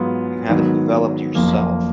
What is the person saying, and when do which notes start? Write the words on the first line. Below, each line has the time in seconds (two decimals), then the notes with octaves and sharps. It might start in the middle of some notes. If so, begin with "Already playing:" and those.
you haven't developed yourself.
Already playing: G#2 F#3 B3 F4 G#4
0.49 G#2 D#3 F#3 B3
1.35 F#1 F2 F3 A#3